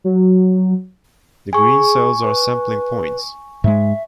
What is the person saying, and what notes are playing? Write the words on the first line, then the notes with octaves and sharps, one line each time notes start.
The green cells are sampling points.
F#3
G#4 G#5 C#6
B4
G#2 G#3 E5